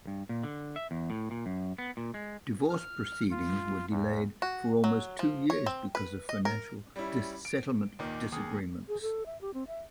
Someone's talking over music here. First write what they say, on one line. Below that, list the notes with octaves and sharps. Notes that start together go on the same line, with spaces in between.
Divorce proceedings were delayed for almost two years because of financial settlement disagreements.
G2
A#2
D3
E5
E2
A2
A#2
F#2
B3
A#2
G#3
F6
F4
E2
F#4
F#3
F3
C#5
C4
B4
D#5
A#4
G3 C#4 E4
D7
D#2 A#2 D#3
D#2 G#4 D#6
G#4
A4
E5
G4
C4
E5